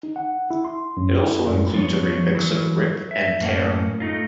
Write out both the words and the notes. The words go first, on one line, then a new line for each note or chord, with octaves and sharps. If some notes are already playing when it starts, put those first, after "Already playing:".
It also includes a remix of "Rip and Tear".
D#4
F#5
E4
C6
F#2
E4
F#2
F3 B3 C#5
E3 F#3 E4
E5
F#2 A2 A#3 C#4
A3 D#4 F4